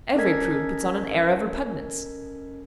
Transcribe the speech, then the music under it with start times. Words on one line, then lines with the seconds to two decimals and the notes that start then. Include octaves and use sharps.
Every prude puts on an air of repugnance.
0.15 C#4 A4 A#4 D#5 G#6 B6